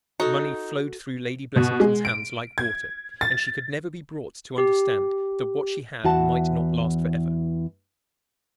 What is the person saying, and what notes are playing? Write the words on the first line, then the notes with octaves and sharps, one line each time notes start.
Money flowed through Lady Blessington's hands like water, and she could never be brought to understand that what she had might not last for ever.
D#4 F#4 A4
B2
G#3
D7
G#6
A6
G4
E2 E3 F#4 F#5 A5